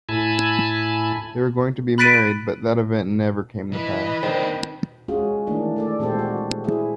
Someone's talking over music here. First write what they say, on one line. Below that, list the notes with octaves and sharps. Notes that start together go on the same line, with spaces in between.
They were going to be married, but that event never came to pass.
A2 E4 G#5 A5 B5
B5 F#6 A6 B6 D7 D#7
E3 B4 D#5
D#3 C4 D4 C5 G5
G#3 C#4 F4 F#4 G#4
D#3 E3 A3 A#3 D4
A3 A4 D5
A#2 G#3 C4 G4 A4 C5
F#4
E4 G#4